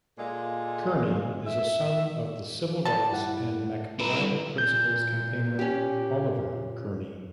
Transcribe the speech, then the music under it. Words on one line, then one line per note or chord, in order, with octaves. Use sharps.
Kearney is a son of the civil rights and MacBride Principles campaigner Oliver Kearney.
A#2 G#3 F4 A4
E5
G3 A5
G2 E4 F#5
C4 E4 A4 B4 A#5
G3
A#2 G6
C#4 G4